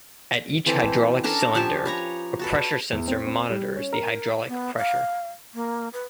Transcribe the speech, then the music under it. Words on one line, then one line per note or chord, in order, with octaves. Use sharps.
At each hydraulic cylinder, a pressure sensor monitors the hydraulic pressure.
E3 C4 A4 D6
C#4 D4 A4 A#4
F3 G4 G#5 A5
B4 C#5 A#5
F#4 A4 B4
E2
C4
C4
G3
C#4
A#4
B3
F5
A#3
B4